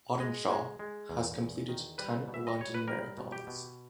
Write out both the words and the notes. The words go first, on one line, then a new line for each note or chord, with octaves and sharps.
Audenshaw has completed ten London Marathons.
G#3 D#5
G#3
G#3
E2
E2
D#3
G3 B4
B2
E5
D#5
G3 C#5
B4
G3 A#4
B2
G4
B2